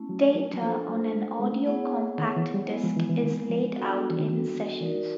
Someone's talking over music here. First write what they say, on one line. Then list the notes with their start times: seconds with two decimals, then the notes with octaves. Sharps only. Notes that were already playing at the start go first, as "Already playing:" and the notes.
Data on an audio compact disc is laid out in sessions.
Already playing: A3 C#4 E4
0.09 F#3
0.35 F#3
0.53 F#3
0.62 F3 D4 F4 A4 C5
0.88 F#3
1.13 G#3
1.40 G#3
1.53 A3
1.66 B3 E4 G#4 C#5 F#5
2.18 D#3
2.36 E3
2.54 G3
2.70 G#3 B3 E4
2.83 F3
2.96 E3
3.09 E3
3.23 D#3
3.49 F3
3.75 G3 B3 D4 F#4 A4
4.10 E3
4.19 D#3
4.27 E3
4.80 E3 D#4 F#4 A#4 D5